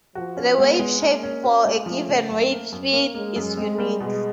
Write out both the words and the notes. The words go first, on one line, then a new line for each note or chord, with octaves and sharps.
The wave shape for a given wave speed is unique.
F3 F#4
C#4
G#3 B3
G#3
A#3 C#4
C#4
F#4
G#3
F3 A3
C#3
F#2 A3
A#3
F#2
A#3
G#3 A#3
F#2
G#3 C4
G3
B2 G#3